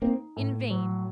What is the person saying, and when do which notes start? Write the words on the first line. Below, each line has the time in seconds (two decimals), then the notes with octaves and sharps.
In vain!
0.02 A#3 C4 D#4
0.36 A2
0.70 F#3